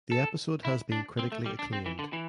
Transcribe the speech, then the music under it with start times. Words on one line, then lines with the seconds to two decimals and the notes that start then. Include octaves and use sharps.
The episode has been critically acclaimed.
0.12 A4
0.65 E4
0.92 D4
1.19 C4
1.32 A3
1.46 G3
1.59 D4
1.73 C4
1.86 E3
1.99 D3
2.13 E3